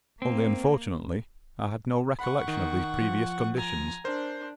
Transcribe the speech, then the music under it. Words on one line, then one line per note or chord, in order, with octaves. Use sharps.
Only, unfortunately, I had no recollection of these previous conditions.
A#3 C4
F#5 B5 C#6
D#3
F3
G#5 A#5
D4 A#4 C5